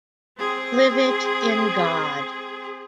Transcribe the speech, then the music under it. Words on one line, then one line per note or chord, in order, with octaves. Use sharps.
Live it in God.
C4 G#4